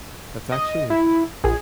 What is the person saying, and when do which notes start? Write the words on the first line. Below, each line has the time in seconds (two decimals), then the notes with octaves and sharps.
that's actually a
0.52 D#5
0.90 E4
1.44 A#1 G#4